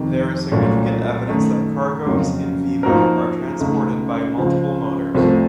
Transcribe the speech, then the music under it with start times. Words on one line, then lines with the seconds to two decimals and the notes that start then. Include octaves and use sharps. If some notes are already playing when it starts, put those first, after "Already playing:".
There is significant evidence that cargoes in-vivo are transported by multiple motors.
Already playing: F2 C3 D#3
0.52 C2 A#2 F#3 A3 C#4
1.29 F#2 D#3 A3 D#4
2.06 F2 C#3 F#3 A#3
2.83 F3 A#3 D#4 F#4 A#4
3.60 C#2 C#3 A3 D#4
4.38 C#2 C#3 F3
5.15 C2 C3 F3 A3